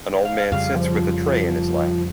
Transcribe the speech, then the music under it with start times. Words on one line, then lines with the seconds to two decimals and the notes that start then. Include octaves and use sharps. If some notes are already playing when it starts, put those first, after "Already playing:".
An old man sits with a tray in his lap.
0.25 F5
0.52 F2 C#3 G3 F5
0.75 F3